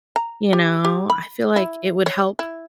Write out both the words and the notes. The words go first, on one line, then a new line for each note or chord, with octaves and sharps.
you know, I feel like it would help
A#5
G4
G4
B5
E4
C#5
E4